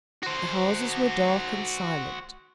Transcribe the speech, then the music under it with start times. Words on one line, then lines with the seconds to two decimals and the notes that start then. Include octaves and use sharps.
The houses were dark and silent.
0.23 F#4 C5